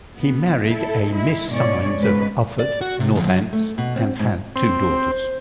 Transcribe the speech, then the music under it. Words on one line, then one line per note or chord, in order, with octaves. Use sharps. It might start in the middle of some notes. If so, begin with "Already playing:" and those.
He married a Miss Symes of Ufford, Northants, and had two daughters.
B3
E4 A4
G#3 E4
G#2 B2 C#4 C#5 D5
G#2 C#3 B4
D5
F#4
C3
D2 F3
F#3
A3
B2
C4
G#2
C4
C5